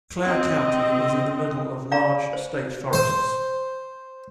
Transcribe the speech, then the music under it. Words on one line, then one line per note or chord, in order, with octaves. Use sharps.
Clare County is in the middle of large state forests.
C4 D#5
D5 F5 A#5
C5
C5